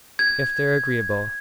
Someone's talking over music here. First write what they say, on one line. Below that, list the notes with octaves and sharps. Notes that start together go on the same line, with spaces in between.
"If they're agreeable."
G#6